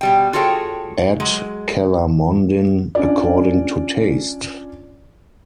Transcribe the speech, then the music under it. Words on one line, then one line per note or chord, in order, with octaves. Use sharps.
Add calamondin according to taste.
B2 G3 G5
F4 F#4 G#4 A4 C#5 G5
F#3 G#3
C#4 D4 F4 D5